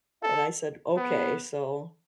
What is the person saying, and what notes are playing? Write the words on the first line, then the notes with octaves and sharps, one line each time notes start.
and I said, "Okay," so,
A4
B3